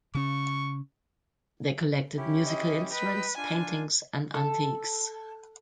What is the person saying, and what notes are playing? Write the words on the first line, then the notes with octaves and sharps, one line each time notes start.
They collected musical instruments, paintings and antiques.
C#3 C#4 C#6
C#4 E4 G4
D#5
B4 D#5 G5 A#5
D4 F4 G#5
A4